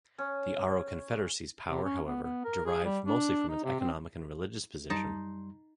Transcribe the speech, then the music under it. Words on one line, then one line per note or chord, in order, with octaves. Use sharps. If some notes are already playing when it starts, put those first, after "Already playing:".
The Aro Confederacy's power, however, derived mostly from its economic and religious position.
C#4
C3
C#4
B3
B3
A#4
G#4
G3
D4
D#4
C3
C4
F#2 G3 D#4 A5 C6